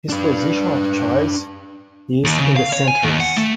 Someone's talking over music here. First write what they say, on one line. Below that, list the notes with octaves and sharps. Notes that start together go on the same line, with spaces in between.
His position of choice is in the centres.
D4 B4
D#2
C#3
F5
C#5
G#5
D#2
F#5
A3